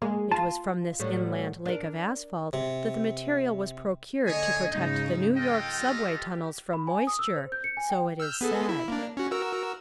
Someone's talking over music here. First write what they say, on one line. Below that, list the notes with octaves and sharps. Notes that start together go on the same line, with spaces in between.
It was from this inland lake of asphalt that the material was procured to protect the New York subway tunnels from moisture, so it is said.
G#3 A#3
F4 A5
A2 F#3 G3
D4 A#4
C3
D3 G#4 C#5 D#5 G#5
G#2 C#3 D#4
F4 A4 D#5 G5
G4
B5
G#5
D#6
E6
C5
G6
C#7
G#5
G5
E6 F6 G6
B3 G#4 A4
E4
A#3 D4
C#4 F#4
F#4 A#4 E6